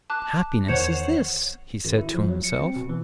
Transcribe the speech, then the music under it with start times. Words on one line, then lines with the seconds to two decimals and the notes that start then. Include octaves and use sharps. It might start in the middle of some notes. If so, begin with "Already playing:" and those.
'Happiness is this!' he said to himself.
0.10 A5 D6 F#6
0.68 E2 D#3 C5 C#5 F#5 C#7
1.85 G#1
1.98 E4
2.14 F3
2.29 F#3
2.44 C#7
2.59 C4
2.76 B2
2.89 E3